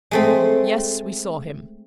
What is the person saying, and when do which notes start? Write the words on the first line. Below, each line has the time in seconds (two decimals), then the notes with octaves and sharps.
Yes, we saw him.
0.11 G#3 A3 C4